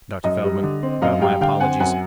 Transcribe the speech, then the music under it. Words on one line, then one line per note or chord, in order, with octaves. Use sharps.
Dr. Feldman, you have my apologies.
F#2 D#5
G3
D3
C4
F#2 D#5 F5
G3 F5 G5
D3 F5 G5
C4 F#5 G#5
F#2 F#5 G#5